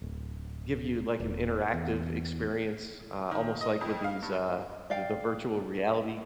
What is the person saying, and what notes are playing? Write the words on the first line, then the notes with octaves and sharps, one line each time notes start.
give you, like, an interactive experience, uh, almost like with these, uh, th the virtual reality
D1
E1
E2
D#3
D#5
F2
F5
G2
D5 F5 G5